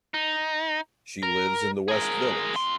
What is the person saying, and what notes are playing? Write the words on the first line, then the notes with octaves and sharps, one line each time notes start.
She lives in the West Village.
D#4
A#4
G#4 A#4
F2 C6